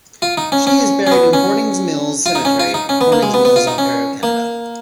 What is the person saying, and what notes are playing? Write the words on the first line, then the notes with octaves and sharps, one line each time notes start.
She is buried in Hornings Mills Cemetery, Horning's Mills, Ontario, Canada.
F4
D#4
C#4
C#4
C#4
B3
C#4
F4
D#4
C#4
F4
D#4
C#4
B3
A#3
G#3
B3
B3
F4
D#4
C#4
A#3